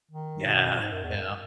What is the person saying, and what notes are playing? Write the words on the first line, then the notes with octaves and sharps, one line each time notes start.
Yeah, yeah,
D#3
B2
G#2
F#2
E2
F#2